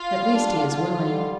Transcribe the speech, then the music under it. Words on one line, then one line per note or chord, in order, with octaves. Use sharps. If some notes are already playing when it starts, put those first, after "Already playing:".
At least he is willing.
Already playing: F4 F5
G3
D4
D3
D3 F4 F5
D3
G3